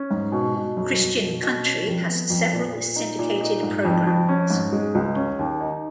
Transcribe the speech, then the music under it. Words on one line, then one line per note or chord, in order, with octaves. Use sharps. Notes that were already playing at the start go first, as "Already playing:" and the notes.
Christian country has several syndicated programs.
Already playing: C#4
G#2
B2
B2
F#2
F#2
B2
B2
C#4
F2
B3
F2
A#2
A#2
D#4
A#2
D#4
G#2
F2
F2
C#4
G#2
G#3
C#2
C#4
D#2
D#4